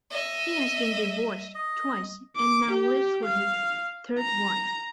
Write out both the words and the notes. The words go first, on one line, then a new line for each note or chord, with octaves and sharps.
He has been divorced twice and now lives with his third wife.
D#5 E5
D#5
D6
G4
F5
A#5